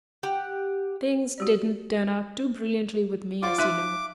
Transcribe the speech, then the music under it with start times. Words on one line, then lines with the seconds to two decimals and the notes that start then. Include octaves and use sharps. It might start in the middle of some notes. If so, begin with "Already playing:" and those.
Things didn't turn out too brilliantly with me, as you know.
0.23 G4 F#5
1.38 F#4 G4 D5
3.43 F4 F#4 C5 D5 D6
3.58 D#4 E5 F5 A5 C6 F#6 B6 D#7